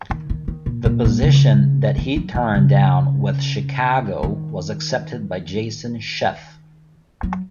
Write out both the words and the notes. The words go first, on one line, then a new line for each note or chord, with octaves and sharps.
The position that he turned down with Chicago was accepted by Jason Scheff.
D#3
D#3
D#3
A#2
A#2
A#2
C#3
D#3
F#3
D#3
C#3
D#3
F#3